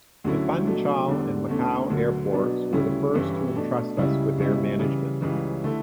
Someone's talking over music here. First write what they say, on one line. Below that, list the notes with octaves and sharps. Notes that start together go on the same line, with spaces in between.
The Funchal and Macau airports were the first to entrust us with their management.
D2 D3 F#3 C#4 E4
B2 F#3 A3 D4
E2 D3 G3 D4
E2 D3 A3 C#4
D2 D3 F#3
B2 F#3 B3 D4
D2 C#3 G3 C#4 E4
G2 E3 G3 C#4 E4
B2 A3 D4
C#2 C#3 G3 C#4 E4
C#2 B2 G3 C#4 E4
C#3 E3 G3
C#2 C#3 E3 G3 C#4
D3 A3 E4